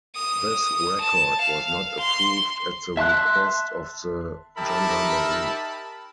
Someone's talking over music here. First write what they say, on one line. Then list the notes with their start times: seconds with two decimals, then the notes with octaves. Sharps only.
This record was not approved at the request of the Gendarmerie.
0.16 D#6
1.01 A5
1.41 F5
1.99 C6
2.97 E5 A5 C6 F#6
4.58 D#4 G4 A#4 E5 A5 B5